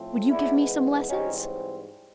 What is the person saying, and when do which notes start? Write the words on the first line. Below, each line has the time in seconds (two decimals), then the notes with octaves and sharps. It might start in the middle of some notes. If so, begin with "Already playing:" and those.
Would you give me some lessons?'
Already playing: A2 F3 A3 C4
0.30 G#2 E3 G#3 B3 D4 E4
1.09 G#2 E3 G3 C4 C#4 D#4